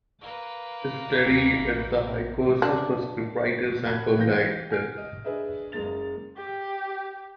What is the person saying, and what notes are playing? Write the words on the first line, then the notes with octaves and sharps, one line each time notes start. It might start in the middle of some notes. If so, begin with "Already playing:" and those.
She studied at the High Courses for Scriptwriters and Film Directors.
A#3 B4
D#2 C4
A#1
D4
F#5 A5 B5 F#6 G#6
E3 F5 G5 G6 A#6
F#5 G#5 F6 D7
D#5
D4 G#4 B4 D#5 E5
F#1 G#3 A#3 A6 F7
G4